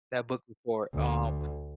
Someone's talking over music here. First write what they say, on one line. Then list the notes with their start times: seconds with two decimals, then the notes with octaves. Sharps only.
that book before, um
0.94 D2